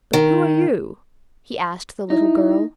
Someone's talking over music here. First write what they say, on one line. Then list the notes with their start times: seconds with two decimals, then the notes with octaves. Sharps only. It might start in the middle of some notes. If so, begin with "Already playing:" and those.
"But who are you?" he asked the little girl.
0.13 D#3
2.10 D#4 E4